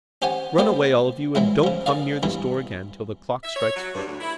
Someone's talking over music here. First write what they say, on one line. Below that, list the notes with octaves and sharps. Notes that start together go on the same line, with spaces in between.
Run away, all of you, and don't come near this door again till the clock strikes four.
C#4 G4 C5 F#5 G#5
A#3 B3 G4 C5 D5
E3 F#3 G#3 E4
C#3 F3
G#4 A#4 D5 F5
G2 B2 E3
E5
C#5
F#3
G2
D2
E4